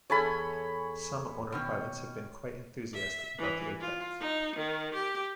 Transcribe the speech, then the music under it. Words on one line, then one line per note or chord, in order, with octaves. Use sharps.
Some owner-pilots have been quite enthusiastic about the aircraft.
E2 G#4 A4 C#5 B5
B2 D#3 C#4
E5
E3
F4
D#4
D#3
G4